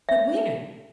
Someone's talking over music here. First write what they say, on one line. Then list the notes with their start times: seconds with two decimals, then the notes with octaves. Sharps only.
"But where?"
0.09 E5